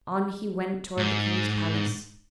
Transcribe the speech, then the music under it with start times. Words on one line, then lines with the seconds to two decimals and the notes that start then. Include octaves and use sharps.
On he went toward the king's palace.
0.98 G#2